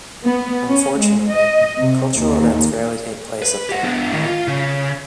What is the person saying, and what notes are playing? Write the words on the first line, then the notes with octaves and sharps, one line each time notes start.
Unfortunately, cultural events rarely take place up there.
B3
C#4
G#3
D#5
C3
D#2
B4
G4 F#5
B3 D4
A2 D#3
F4
C#3